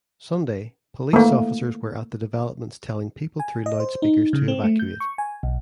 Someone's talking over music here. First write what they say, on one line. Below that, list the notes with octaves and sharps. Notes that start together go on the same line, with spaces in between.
Sunday, police officers were at the developments telling people through loudspeakers to evacuate.
A3 A#3
G#5
D#5
C5
D#4
C#3
C4
A3
G6
C#6
G#5
B1